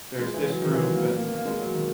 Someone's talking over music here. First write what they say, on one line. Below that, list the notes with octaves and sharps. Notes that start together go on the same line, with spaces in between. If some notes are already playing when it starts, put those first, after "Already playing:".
"There's this group and"
G#3
E3
F#3
D#3
E3
F#3
A#3
B3
A#3
A#3
A#3
G#3
F#3
D#3